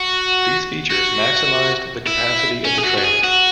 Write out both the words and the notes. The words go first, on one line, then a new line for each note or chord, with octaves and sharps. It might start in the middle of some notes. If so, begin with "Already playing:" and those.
These features maximized the capacity of the trailer.
Already playing: F#4
F#4
E4
C#4
G#4
F#4
F#4
G#4
F#4